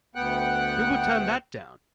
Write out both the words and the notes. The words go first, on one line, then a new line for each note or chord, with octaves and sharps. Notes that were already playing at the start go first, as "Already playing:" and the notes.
Who would turn that down?
D2 B3 F#5 G5 F#6